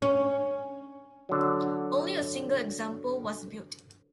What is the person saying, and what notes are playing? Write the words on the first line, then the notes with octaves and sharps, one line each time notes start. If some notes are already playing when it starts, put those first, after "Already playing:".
Only a single example was built.
C#4
D3 F#3